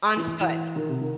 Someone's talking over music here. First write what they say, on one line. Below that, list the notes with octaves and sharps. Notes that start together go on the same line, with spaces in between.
On foot,
E3
E3
D#3
C3
D#3